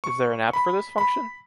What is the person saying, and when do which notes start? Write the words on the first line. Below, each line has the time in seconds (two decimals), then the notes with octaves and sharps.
Is there an app for this function?
0.04 C#6
0.53 B5
0.98 B5